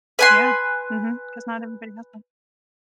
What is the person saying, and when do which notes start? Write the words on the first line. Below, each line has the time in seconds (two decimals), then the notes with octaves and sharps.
Yeah, mhm, 'cause not everybody has one.
0.19 B4 G#5 C6